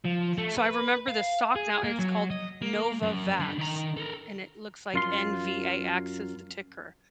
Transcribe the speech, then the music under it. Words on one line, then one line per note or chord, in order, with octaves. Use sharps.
so I remember the stock now, it's called Novavax, and it looks like N-V-A-X is the ticker,
F3
A3
B4
F5
G#4
A#3
F#3
D#5
A#3
F#2
D3 G3
D#3 A#5
A4 A#4
F#2 F4 C6